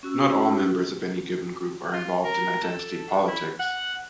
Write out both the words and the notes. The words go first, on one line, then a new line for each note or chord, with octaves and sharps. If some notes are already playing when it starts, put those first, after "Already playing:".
Not all members of any given group are involved in identity politics.
C#4 F#4 E6
F4
A#4
A4
E4
F#5